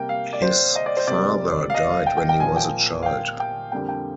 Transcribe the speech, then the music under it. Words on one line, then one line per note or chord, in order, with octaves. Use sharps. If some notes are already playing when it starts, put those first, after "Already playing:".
His father died when he was a child.
Already playing: C3 G3 A#3 G5
F5
D5
C5
D#5
D5
C5
C3 G3 A#3 D5
F5
D#5
F5
G5
G5
G5
A#2 F3 A#3 G#5
G5
F5
G5
G5
F2 D3 G3 A#3 G5
G5